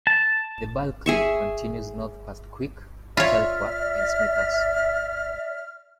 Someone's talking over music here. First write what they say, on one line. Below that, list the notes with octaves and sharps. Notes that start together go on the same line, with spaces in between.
The Bulkley continues north past Quick, Telkwa and Smithers.
A5
G#4 E5 C#6
F4 C#5 D5 E5 F6